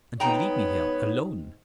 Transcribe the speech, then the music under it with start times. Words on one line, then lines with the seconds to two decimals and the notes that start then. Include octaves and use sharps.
"And you leave me here, alone!"
0.20 G#2 B3 D#4 C#5 G5 A#5